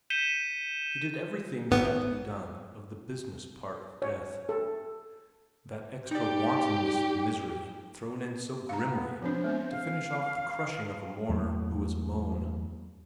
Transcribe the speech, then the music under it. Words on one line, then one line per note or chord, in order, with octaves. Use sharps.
He did everything that had to be done of the business part of death--that extra wantonness of misery thrown in so grimly to finish off the crushing of a mourner who is alone.
G6 B6 C#7 D#7 E7 G7
G#1 B3
C#5
A4
D#4 G4 D5
F5 A#5
B3
F3 C4 D4 C5
G#3 B3 C4
F5
E2 F#3 A3 A#3